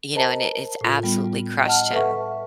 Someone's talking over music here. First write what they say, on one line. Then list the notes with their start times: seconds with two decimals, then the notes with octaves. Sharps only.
You know, and it it's absolutely crushed him
0.15 A#4 C5 D#5 A5 A#5
0.81 A2 F4
1.03 G3 B3
1.66 D#5 F#5 A5 F6
1.92 A4 B4 E5 F#5 C#6